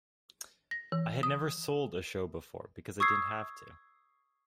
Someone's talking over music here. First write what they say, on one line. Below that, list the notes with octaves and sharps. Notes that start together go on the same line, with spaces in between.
I had never sold a show before because I didn't have to.
A#6
E3
D#6
C#6 D#6 E6 G#6 C7